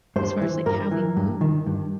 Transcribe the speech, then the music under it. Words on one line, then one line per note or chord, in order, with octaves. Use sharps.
as far as, like, how we move.
G2 C5
E3
G2 A#4
E3
G2
D#3
G2